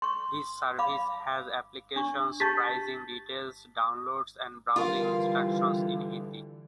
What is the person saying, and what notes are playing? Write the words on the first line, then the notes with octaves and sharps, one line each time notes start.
This service has applications, pricing details, downloads and browsing instructions in Hindi.
C6 C#6
F5 B5 D6
D4 C#6
G4 A5 C#6 G6 A6 B6
D3 E3 G3 F4 A#4 F5